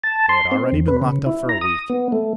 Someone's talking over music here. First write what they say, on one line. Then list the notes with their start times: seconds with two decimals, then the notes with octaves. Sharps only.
They had already been locked up for a week.
0.04 A5
0.29 C6
0.51 C4
0.72 E2
0.88 B4
1.02 C#3
1.26 E4
1.49 A#5
1.61 D#6
1.90 B3
2.12 A3